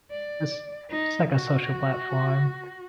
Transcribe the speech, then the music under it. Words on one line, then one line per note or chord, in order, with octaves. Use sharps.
just just, like a social platform,
D5
D#4
F#4